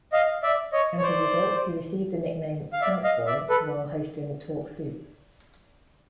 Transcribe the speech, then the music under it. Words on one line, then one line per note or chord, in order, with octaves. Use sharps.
As a result, he received the nickname "Skunk Boy" while hosting "Talk Soup".
D#5 F5
D5 E5
C#5 D#5
C#5
C5 D5
F5
D5 E5
D#5 F5
D5 E5
A4 B4